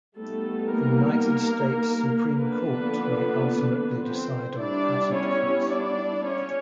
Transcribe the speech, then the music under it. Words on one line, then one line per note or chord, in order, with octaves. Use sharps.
The United States Supreme Court may ultimately decide on a patent case.
G3 A3 B3 D#4 A4
A#3 A#4
D3 F3 A#3 B3 D4 B4
C4 C5
G3 B3 D4 E4 D5
C#4 C#5
D4 D5
C#4 C#5